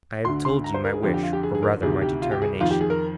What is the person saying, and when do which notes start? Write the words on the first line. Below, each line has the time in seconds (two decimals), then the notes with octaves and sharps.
I have told you my wish, or rather my determination.
0.25 D2 D3 C6
0.45 C6
0.64 A#5
0.74 C5
0.84 A#4
0.94 G#4
1.03 F2 D3 G4
1.14 G4
1.23 F4
1.33 G4
1.43 G#4
1.55 G#4
1.63 A#4
1.82 D2 C3 D#3 G#4
2.02 G4
2.22 F4
2.31 G4
2.42 G#4
2.61 F2 D#3 F4
2.71 G4
2.81 G#4
2.90 A#4